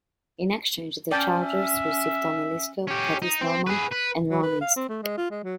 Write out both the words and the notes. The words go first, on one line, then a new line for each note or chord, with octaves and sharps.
In exchange, the Chargers received Tony Liscio, Pettis Norman, and Ron East.
C#4 D5 G5 A5
E5
C#4 G4
D#4
C4
G#4 B4
B4
F#3
B4
F5
C4
A3
G#3
F4
G#3
F#3